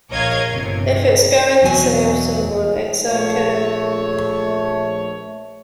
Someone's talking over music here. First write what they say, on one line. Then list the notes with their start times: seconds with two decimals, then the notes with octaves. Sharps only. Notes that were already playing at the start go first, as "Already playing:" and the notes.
If it's going to save someone, it's okay.
0.10 A#1 A#4 C#5 D#5 F5 G#6
0.49 G1 C3
1.62 E2 B2 F#3 G#5
3.06 A#1 A3 C#5